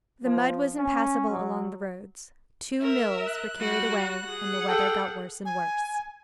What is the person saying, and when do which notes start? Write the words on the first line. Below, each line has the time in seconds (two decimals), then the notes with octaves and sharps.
The mud was impassable along the roads; two mills were carried away, and the weather got worse and worse.
0.24 F3
0.78 C#4
1.30 F#3
2.81 A#4 E5
3.27 F#6
3.57 G3 F#4
4.25 G#4 F#5
4.68 A4 G5
5.45 G#5